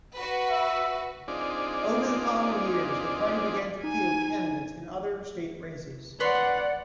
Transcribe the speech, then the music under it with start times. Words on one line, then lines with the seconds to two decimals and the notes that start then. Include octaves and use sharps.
Over the following years, the party began to field candidates in other state races.
0.15 F#4 B4
0.50 E5
1.28 C4 D4 D#4 F4 G#4 D5
3.84 D#4 G#5
6.20 B4 C#5 D5 F#5 C6